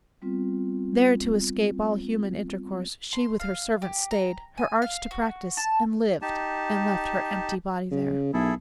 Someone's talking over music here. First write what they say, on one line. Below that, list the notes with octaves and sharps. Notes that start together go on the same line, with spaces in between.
There to escape all human intercourse, She with her servants stayed, her arts to practise And lived, and left her empty body there.
G3 B3 C4 F4
C6
F5
G4
A#5
G#5
F5
F#4
A5
D#4 G4 A5
C#3
B1 E4 G#4 A4